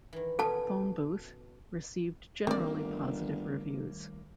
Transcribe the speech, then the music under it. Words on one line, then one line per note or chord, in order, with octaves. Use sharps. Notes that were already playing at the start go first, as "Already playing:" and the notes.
"Phone Booth" received generally positive reviews.
D#3 E3
B2 E3 C#4 A4 A5
G1 D#3 G3 A3 A#3 C4 D5